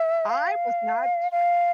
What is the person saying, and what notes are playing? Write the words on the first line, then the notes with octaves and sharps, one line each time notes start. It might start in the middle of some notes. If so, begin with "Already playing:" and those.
I was not stru
Already playing: E5
F5
F5